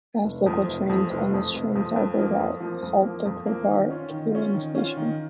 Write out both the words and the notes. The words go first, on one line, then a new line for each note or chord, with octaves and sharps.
Fast local trains on this trans-harbour route halt at Kopar Khairane station.
F1
F2 F3
F1
F2 F3
F1
F2 F3
F1
F2 F3
F2
F3 A#3
F2
F3 A#3
F2
F3 A#3
F2
F3 A#3
D#3
C#4 F4
D#3
C#4 F4
D#3
C#4 F4
D#3